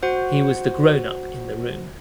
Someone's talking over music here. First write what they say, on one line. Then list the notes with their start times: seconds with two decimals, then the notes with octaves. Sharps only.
He was the grownup in the room.
0.03 F#4 C5 F#5